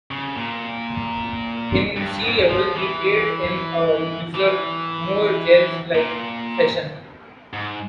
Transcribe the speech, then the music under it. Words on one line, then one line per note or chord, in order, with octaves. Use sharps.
In Sea Level he played in a looser, more jazz-like fashion.
C#3
A#2
G2
G#2
F3
E3
E3
A#2
G#2